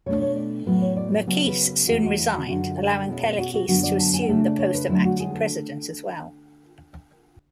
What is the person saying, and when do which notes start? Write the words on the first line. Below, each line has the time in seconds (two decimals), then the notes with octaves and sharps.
Merkys soon resigned, allowing Paleckis to assume the post of acting President as well.
0.06 B2 A3 D4 C#5
0.22 C#5
0.36 D5
0.66 A2 F#3 B3 E4 B4
0.82 C#5
0.97 D5
1.12 D5
1.27 C#3 F#3 B3 G#4
1.47 B4
1.67 B4
1.87 E2 C#3 E3 A3 E4 F#4
2.03 F#4
2.18 E4
2.33 F#4
2.48 F#2 D3 G#3 F#4
2.78 F#4
3.08 B2 G#3 C#4 E4
3.23 A4
3.33 E4
3.38 F#4
3.54 F#4
3.68 F#2 D3 F#3 B3 F#4
3.83 D5
3.99 A5
4.14 G#5
4.22 F#5
4.29 C#3 E3 A3 D4 E5
4.44 D5
4.59 C#5
4.74 B4
4.89 D3 F#3 A3 D4 E4
5.05 F#4
5.20 G#4
5.35 A4